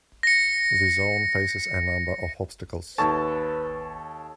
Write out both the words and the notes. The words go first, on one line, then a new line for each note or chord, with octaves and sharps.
The zone faces a number of obstacles.
A#6 C#7
D#2 A4 B4 C#5 A5